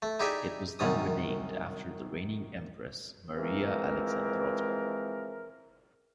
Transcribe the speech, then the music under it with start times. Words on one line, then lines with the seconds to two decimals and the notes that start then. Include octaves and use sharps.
It was then renamed after the reigning Empress Maria Alexandrovna.
0.02 A3
0.20 D#4 E4 G4 G#4 D5 E5
0.79 C2 F#2 D#3 C#4 D#6
3.37 E3 F3 G#3 C4 G#4 A#4